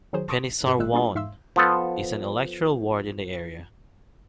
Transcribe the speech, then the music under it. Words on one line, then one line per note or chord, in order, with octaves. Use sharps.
Penisarwaun is an electoral ward in the area.
D#3 F#3 G#4 C5
A5 C6 C#6 D#6 C#7 D7
G#2 C3 B4 C#7
G1 A#2 G#3 E6 F#6
G3 A#3 D4 F4 G#4
G#2 E5 F5 C6 E6
F3 B3 A4